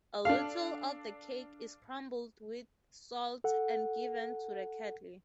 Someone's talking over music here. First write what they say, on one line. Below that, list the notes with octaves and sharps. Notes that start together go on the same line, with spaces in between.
A little of the cake is crumbled with salt and given to the cattle.
D4 A4 F5
A4 F#5